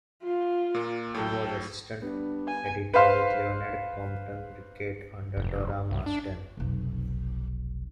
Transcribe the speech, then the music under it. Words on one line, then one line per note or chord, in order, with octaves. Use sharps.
He was assistant editor with Leonard Compton-Rickett under Dora Marsden.
F4
A#2 A#3
A2 F#3 A4 G5
G3 B3 D4
G#5
B4 C5 F5 C6
F1
C2
D4
F1 B1